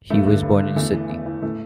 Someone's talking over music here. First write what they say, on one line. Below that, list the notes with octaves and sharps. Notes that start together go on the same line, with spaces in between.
He was born in Sydney.
G2 A3
D3
G2
D3
E2 A3
E3
E2
E3
A2 A3